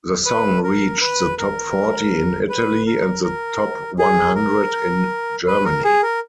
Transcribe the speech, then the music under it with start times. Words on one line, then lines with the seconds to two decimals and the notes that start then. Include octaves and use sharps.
The song reached the top forty in Italy and the top one-hundred in Germany.
0.26 B4
0.64 A#4
1.01 B4
1.38 A#4
2.49 B4
2.87 A#4
3.24 A#4
3.99 G#4
4.35 A#4
5.47 B4
5.65 A#4
5.84 G#4
6.03 A#4